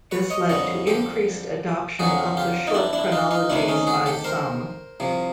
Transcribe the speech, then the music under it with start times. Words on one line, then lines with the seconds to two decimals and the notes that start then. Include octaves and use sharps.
This led to increased adoption of the short chronologies by some.
0.11 B4 C#5
0.30 C#5 D#5
0.49 F2 D3 G3 C#5 D#5
0.87 G4 A4
1.99 F2 D3 F#3 F#4 G#4
2.37 F4 G4
2.67 D#4
2.74 D4 E4
2.93 D4 E4
3.12 D#4 F4
3.31 D#4 F4
3.50 D2 C3 D#3 D4 E4
3.68 C#4 D#4
3.87 F#4 G#4
4.06 G4 A4
4.24 A#4 C5
5.00 C2 C3 F3